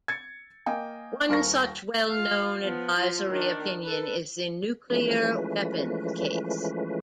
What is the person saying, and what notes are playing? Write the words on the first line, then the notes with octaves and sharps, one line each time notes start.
One such well-known advisory opinion is the "Nuclear Weapons Case".
G#6 A6 C#7
A#3 D#5 F5 G5 G#5
D#1 D#2 A#4 F5 C#6 A#6
F4 F5
F3 B3
F3 F4
D#3 D4
A4 B4
E3 F3 G#3 A3 C#4 B4